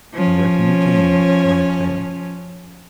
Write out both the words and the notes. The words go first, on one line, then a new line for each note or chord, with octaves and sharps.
"I reckon you can," laughed Hale.
F3 C#4